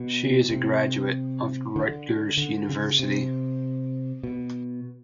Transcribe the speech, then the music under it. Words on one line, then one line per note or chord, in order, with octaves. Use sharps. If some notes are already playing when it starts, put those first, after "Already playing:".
She is a graduate of Rutgers University.
Already playing: B2
C3
D3
D3
C#3
C3
B2